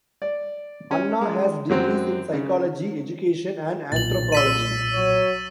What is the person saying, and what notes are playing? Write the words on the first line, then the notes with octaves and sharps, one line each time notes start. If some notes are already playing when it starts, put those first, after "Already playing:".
Anna has degrees in psychology, education and anthropology.
D5
C#4
G#3
F#2 F#3 C4
C#3
B1 A#2 A6 F#7
E6 B6 D#7
F#3 C#5